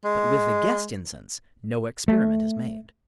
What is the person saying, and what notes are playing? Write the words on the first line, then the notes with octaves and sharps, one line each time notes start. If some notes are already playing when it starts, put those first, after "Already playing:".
But with the "guest-incense" no experiment is made.
G#3
A3